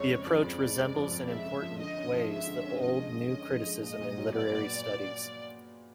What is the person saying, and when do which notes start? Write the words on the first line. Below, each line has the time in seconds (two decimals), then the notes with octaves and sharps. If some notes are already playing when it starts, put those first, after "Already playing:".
The approach resembles in important ways the old New Criticism in literary studies.
Already playing: F2 G#3 C#5
0.09 C#3
0.27 F3 D5
0.44 F2
0.60 G#3
0.77 C#3
0.94 F3
1.11 F2
1.28 G#3 E5
1.46 C#3
1.62 F3
1.80 D3 D#5
1.97 C#4
2.14 F3
2.30 G#3 E5
2.47 D3
2.65 C#4
2.81 F3 D#5
2.98 G#3
3.16 D3
3.32 C#4
3.49 F3
3.66 G#3
3.83 A#2 D#5
4.00 A#2
4.18 F#3
4.34 B3 D5
4.52 A#2